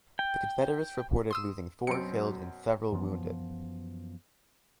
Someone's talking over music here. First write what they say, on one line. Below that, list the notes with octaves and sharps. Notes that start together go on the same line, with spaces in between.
The Confederates reported losing four killed and several wounded.
G5
C6 D#6 E6
F#2 B2 F#3 C4 C#7 D7
F#2 E3 F3 B3